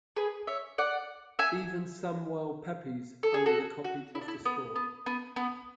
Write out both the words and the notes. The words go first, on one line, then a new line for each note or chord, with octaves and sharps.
Even Samuel Pepys owned a copy of the score.
G#4 B4
C#5 E5
D5 F#5
E5 G#5
A4
G#4
F#4 A4
F#4
E4
D4
E4
B3
B3
B3
B3